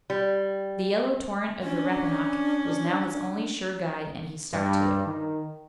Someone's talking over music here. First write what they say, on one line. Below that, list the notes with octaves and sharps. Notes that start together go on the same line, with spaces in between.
The yellow torrent of the Rappahannock was now his only sure guide and he stuck to it.
G3
C#4 D4
G2
D#3